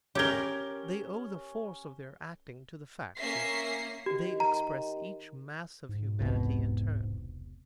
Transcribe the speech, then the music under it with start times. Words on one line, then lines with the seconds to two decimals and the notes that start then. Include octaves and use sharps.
They owe the force of their acting to the fact that they express each mass of humanity in turn.
0.15 C#4 G4 A#4 G#6 G7
3.18 A#3 C#4 E5 A#6 C7
4.06 D#3 G4
4.40 A#5
5.89 G#2
6.19 E1 C2 B2